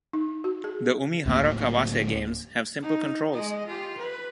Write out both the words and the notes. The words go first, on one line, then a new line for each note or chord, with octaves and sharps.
The Umihara Kawase games have simple controls.
D#4
F#4
G#4
D1 D2 A#3
D#4
G#3 D#5
F4 G4
B4